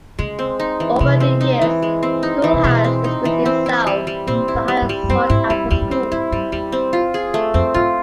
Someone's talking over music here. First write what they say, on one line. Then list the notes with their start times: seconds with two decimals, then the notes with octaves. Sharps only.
Over the years, the school has distinguished itself as a highly sought after school.
0.19 C#3 G#3
0.39 C4
0.60 D#4
0.80 E3
1.00 C3 G#3
1.20 C4
1.41 D#4
1.62 E3
1.83 G#3
2.03 C4
2.23 D#4
2.44 E3
2.53 C3
2.64 B2 G#3
2.84 C4
3.04 D#4
3.25 E3
3.46 C4
3.66 E4
3.87 G3
4.07 G3
4.27 A#2 C4
4.48 E4
4.55 A2
4.68 G3
4.82 G#2
4.89 G3
5.04 G2
5.09 F#2 C4
5.30 G#2 E4
5.50 G2 G3
5.64 F2
5.71 E2 G3
5.81 F#2
5.91 F2 C4
6.12 G#2 E4
6.32 G2 G3
6.52 E2 G3
6.72 C4
6.93 F4
7.14 G#4
7.34 A3
7.54 F2 C4
7.74 G#2 F4